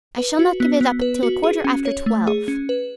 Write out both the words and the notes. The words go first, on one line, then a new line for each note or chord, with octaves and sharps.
I shall not give it up till a quarter after twelve.
B4
F#4
B3
B3
B4
F#4
G#4
C#4
C#5
A3
G#4
C#4
B4